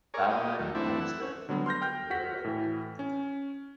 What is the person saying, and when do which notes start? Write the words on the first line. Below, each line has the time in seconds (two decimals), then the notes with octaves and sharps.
Bouknight, homesteaded near Mirror Lake.
0.14 G#4 A#4 C#5 D5
0.29 A#3 G4 D#5
0.59 D#2 F#3 A3
0.75 E3 A3 C4 D4 E4
1.00 F#5 E6
1.22 C#4
1.49 D3 F#3 G3 B3
1.66 C6 F6 G6 A#6
1.82 G5 F6 G6
2.10 F#4 F#5 B6
2.44 A2 E3
2.99 C#4